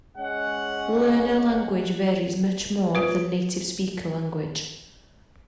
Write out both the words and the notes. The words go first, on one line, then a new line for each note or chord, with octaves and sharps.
Learner language varies much more than native-speaker language.
G#3 C#4 F#5
F4 B4